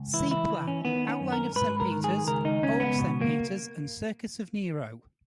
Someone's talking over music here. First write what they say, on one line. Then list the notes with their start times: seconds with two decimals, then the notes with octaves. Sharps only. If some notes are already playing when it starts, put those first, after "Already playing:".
See plan: "Outline of Saint Peter's, Old Saint Peter's, and Circus of Nero".
Already playing: C#2
0.13 E3 E4
0.31 E4
0.50 E3
0.68 C#4
0.85 D#3 B3
1.09 C#4
1.20 F#2
1.32 A#4
1.56 G#2 B4
1.80 A#4
1.92 D#3
2.04 G#4
2.27 C#2 A#4
2.45 D#4
2.62 C#2 C#4
2.80 B3
2.99 B2
3.21 A#3